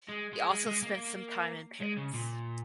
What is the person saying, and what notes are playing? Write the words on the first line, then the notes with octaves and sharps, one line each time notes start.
He also spent some time in Paris.
G#3
G#3
G#3
G#3
A#3
G#3
C#3
A#2